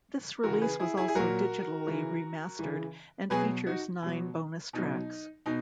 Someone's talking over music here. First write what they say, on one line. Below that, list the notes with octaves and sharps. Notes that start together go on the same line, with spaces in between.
This release was also digitally remastered, and features nine bonus tracks.
C#3 E3 F#4 A#4
G#4 B4
E4 G#4
E4 G#4
G#4
A#2 F#3 F#4 A#4
C#3 E3
C#3 E3
B2 F#3 G#4 B4
D#4 F#4
B2 F#3
B2 F#3 D#4
B2 D#4